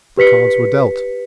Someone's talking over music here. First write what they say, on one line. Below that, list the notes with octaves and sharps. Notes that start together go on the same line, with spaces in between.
The cards were dealt.
G4 B4 B6 C#7